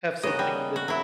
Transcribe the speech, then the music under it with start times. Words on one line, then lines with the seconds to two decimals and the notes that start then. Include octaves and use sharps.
have something that
0.23 C#3 A#3 B3 F#4 D#5
0.39 G3
0.76 F#4
0.88 F#3 E4